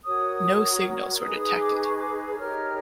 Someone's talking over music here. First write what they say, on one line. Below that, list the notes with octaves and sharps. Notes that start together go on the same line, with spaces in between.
No signals were detected.
F#4 A#4 C#5 D#6
D#4 G#4 B4 D#6
D#6
D6
C#6
D6
D#4 G4 A#4 C#5 F6